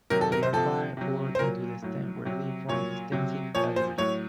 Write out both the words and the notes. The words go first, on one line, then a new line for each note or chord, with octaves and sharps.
The larvae bore into the stem where they form extensive galleries.
C3 D#3 F#3 A#4
A4
A#4
C5
C3 F3 A4
C3 F#3
C5
A#2 F#3 A#4
A2 F#3
C3 F#3
A#2 F#3 C#5
C3 F#3
A#2 F3 C#5
C5
A2 F#3 C#5